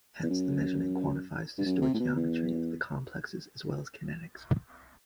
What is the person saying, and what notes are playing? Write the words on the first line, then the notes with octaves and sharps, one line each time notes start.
Hence the measurement quantifies the stoichiometry of the complexes as well as kinetics.
E2
F#2
G2
F#2
C3
A2
B2
E2